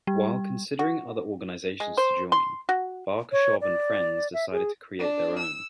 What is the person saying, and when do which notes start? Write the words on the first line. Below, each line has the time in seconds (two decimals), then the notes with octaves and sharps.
While considering other organizations to join, Barkashov and friends decided to create their own.
0.07 G3
0.79 F#4
1.80 G#3
1.98 C5
2.32 C6
2.69 F#4
3.32 C#5
3.61 D5
4.34 E5
4.52 G#4
4.98 D4
5.38 E6